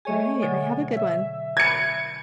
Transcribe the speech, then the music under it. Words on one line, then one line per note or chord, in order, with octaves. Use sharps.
Right, right. Have a good one.
A3 G#4 C#5 D#5 E5 G#5
B2 D3 F#3
E5
G#5 B5 G#6 C#7